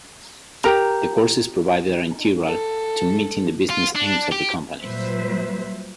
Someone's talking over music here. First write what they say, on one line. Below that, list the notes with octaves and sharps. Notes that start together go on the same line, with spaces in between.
The courses provided are integral to meeting the business aims of the company.
G4 A#4 A#5
A4
F4
D4
G4
A#2 F#3 G3 B4 C5 E5